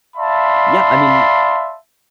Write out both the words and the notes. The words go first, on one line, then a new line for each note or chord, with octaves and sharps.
Yeah, I mean
D5 E5 F5 A5 B5 C6